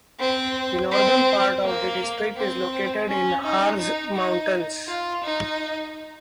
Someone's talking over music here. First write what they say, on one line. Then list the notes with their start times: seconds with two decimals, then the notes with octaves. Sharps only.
The northern part of the district is located in the Harz mountains.
0.19 C4
0.91 C4
1.64 A#3
2.37 C4
3.09 C#4
3.44 D#4
3.80 D#4
4.16 D#4
4.87 F4
5.24 D#4